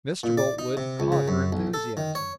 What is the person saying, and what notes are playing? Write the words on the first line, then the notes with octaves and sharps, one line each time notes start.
Mr. Boltwood caught her enthusiasm.
A#2
D5
D#4
C3
C#2
C#3
F#2
B1
A4
D#3
C#5